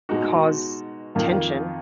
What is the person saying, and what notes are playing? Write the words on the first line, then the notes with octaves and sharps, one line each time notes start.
cause tension.
B2 G#3 D#4 F#4
F2 D#3 A#3 F4